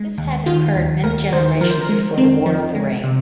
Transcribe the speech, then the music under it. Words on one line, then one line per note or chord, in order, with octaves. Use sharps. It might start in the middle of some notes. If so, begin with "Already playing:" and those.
This had occurred "many generations" before the War of the Ring.
Already playing: G#3
D#2
D#3 F4
D#2
D#2 A#4
D#3 C5
F3 A#4
C5
A#4
G#3
F2 C4
F3
G#3
C3